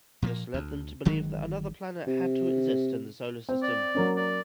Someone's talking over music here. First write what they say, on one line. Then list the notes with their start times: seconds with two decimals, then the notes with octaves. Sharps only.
This led them to believe that another planet had to exist in the solar system.
0.22 A#2 F3 A3 A#3
0.54 D2
1.05 G1 D#3 F#3 G#3
2.07 C3
3.49 C4
3.63 D5
3.95 F#3 A#3 C#4
4.16 D5